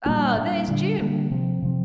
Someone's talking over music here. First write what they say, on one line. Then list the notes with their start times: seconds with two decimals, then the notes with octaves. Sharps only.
Ah, there's Jim!
0.06 A#2 G3 A#3 D4
0.37 A#2 G3 A#3 D4
0.68 D3 G3 A#3 D4
0.99 D3 G3 A#3 D4
1.31 C3 F3 C4
1.62 C3 F3 C4